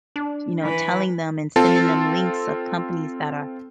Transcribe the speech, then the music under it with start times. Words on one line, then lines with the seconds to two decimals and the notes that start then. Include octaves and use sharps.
you know, telling them, and sending them links of companies that are
0.16 D4
0.61 E3 B4
1.56 C4 F4 A4 A5